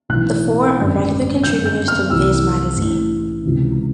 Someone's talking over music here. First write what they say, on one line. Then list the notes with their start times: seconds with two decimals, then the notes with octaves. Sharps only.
The four are regular contributors to "Viz" magazine.
0.09 B1 A2 E3 F#6
0.77 G#1 F#2 D3
1.43 G1 F#2 D3 G6
1.66 G6
1.88 F6
2.10 C2 C3 E3 E6
2.77 A1 A2 E3
3.44 C#2 C3 E3